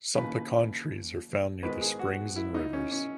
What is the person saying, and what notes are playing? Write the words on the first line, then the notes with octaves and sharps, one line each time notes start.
Some pecan trees are found near the springs and rivers.
D#2 C#3 E3 B4
G#2 D#3 G#3 B3 B4
G#4
F#4
E4
D#4
C#4
C#4